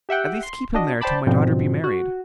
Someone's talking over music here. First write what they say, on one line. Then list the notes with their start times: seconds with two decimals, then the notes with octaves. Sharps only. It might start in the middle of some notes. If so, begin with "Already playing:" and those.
"At least keep him there till my daughter be married."
0.09 G4 E5 F#5 G5
0.43 C6
0.75 D4 F#4 D#5
1.01 C5 D5 G5 A5 B5 D6
1.27 G#2 B2 D3 F3 C4
1.84 F#4